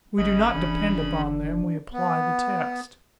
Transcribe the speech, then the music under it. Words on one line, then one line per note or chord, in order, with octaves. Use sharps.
We do not depend upon them--we apply the test.
G#1 C#3 C#4 D#5 B5
F#1 E3 D4
B3